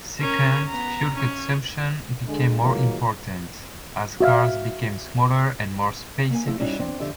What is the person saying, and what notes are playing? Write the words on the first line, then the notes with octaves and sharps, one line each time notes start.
Second, fuel consumption became more important, as cars became smaller and more space-efficient.
C#4 A#4
B3 A#5
C#4
D3 G#3
A#2 D#3 E3 F#3 G#3 A#3
F#4 E5 F5
A#3 G#5
F3 A3 E4
G3 C#4 D#4 E4 F#4
C4 D4
D3 F3 G4 E5